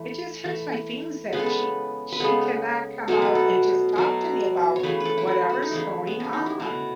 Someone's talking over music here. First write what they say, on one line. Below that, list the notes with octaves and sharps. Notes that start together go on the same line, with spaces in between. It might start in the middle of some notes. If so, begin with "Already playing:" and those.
It just hurts my feelings that she she cannot come out and just talk to me about whatever's going on.
Already playing: E3 A3
E3 A3
C#3 G#3 B3 B4
A4
B4
B4
C#3 G#3 B3 A4
B2 F#3 A3 A4
B4
A4
B2 F#3 A3
C#5
C#3 E3 A3 B4
B4
A4
E4
F#4
F#4
D#4
C#3 E3 A3 E4
B3
C#4
D#4
E4
B2 A3 F#4